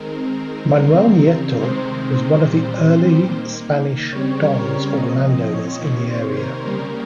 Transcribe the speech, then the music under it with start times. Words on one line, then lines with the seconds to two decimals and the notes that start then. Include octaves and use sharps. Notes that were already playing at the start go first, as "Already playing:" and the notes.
Manuel Nieto was one of the early Spanish dons or landowners in the area.
Already playing: D#3 G#3 C4 A#4
0.76 C#3 G3 C4
1.60 C3 D#3 G#3 C4 C5
2.45 A#2 G3 C4
3.28 D#3 A#3
4.13 C#3 G3 C4 C#5
4.40 A#4
4.69 C#5
4.97 A#2 F3 C4 D#5
5.25 D#5
5.54 C#5
5.81 C3 D#3 A#3 C#5
6.09 C5
6.37 A#4
6.65 C#3 G3 A#3 A#4